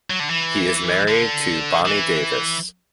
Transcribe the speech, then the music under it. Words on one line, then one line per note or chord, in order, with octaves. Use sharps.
He is married to Bonnie Davis.
F#3
D3
E3
D3
E3